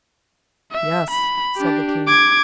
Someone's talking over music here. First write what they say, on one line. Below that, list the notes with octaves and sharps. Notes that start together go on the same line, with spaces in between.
"Yes," said the King.
E5
B5
D4 G4
D6 G#6